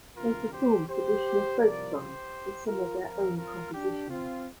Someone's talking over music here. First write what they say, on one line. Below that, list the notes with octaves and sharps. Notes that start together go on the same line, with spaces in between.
They performed traditional folk songs and some of their own compositions.
D2 C3 F3 F4 A#4
G4 C5
G4 C5
C2 C3 F3 A#4 D5
G4 C5
F4 A#4
F2 F3 F4 A#4
F4 A#4
D4 G4
C4 F4